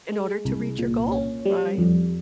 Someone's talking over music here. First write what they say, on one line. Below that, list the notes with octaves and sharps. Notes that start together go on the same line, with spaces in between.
In order to reach your goal, right?
G#3
C2
A#2
C#4
G3
F2